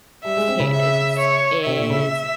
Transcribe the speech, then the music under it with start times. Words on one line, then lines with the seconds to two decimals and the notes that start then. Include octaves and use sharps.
Kids is
0.24 G3 E5
0.37 G#3
0.48 C4
0.60 C#3
0.72 E5
1.19 C#5
1.66 C3 E5
1.78 A#2
1.90 C#3